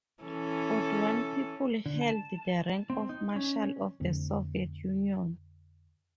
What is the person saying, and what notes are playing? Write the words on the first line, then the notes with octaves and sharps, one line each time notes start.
Forty-one people held the rank of Marshal of the Soviet Union.
E3 C#4 A4
D3
A5
C4
D#4
C#4
F2 D3 A3 C4